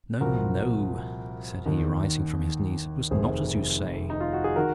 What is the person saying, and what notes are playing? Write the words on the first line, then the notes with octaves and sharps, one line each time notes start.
"No, no," said he, rising from his knees, "it was not as you say."
C2 A#2 F3 F#4 A#4
D#2 D#3
F1 F2 D#3 G#4 C5
D#4
F4
F#4
G#4
D#3 F#4 A#4